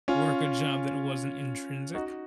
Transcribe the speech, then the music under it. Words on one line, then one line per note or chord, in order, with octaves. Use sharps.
work a job that wasn't intrinsic,
C#4 F4
D#4 F#4